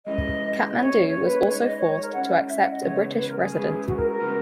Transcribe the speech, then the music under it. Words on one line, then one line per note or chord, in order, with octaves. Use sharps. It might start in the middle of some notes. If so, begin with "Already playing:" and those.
Kathmandu was also forced to accept a British Resident.
G#3 C#4 E4 B4 D#5
A#3 C#4 E4 G#4 C#5
C#5
B4
G#3 D#4 G#4 C#5
D#5
C#5
C#5
A#4
G#3 C#4 E4 F#5
E5
F#5
D#5
C#3 E3 G#3 B3 C#5
B4
A#4
G#4
G#3 C#4 E4 B4
F#4
A#4
A#4
C#3 G#3 B3 F#4 B4